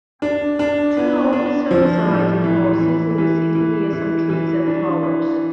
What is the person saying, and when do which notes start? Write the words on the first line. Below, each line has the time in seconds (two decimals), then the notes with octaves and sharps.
Two officers are riding horses in the city near some trees and flowers.
0.22 D4
0.59 D4
0.97 B3
1.33 D4
1.71 F3
2.07 A2
2.44 E3
2.81 E3
3.18 E3
3.55 E3
3.93 E3
4.30 E3
4.67 D4
5.03 E3